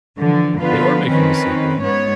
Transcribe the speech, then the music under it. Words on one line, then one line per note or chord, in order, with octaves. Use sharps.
They are making a sequel.
D3 E3 F3
D3 F3 B3 F4 B4
D#3 C4 C#4 B4
G#2 B3 C#5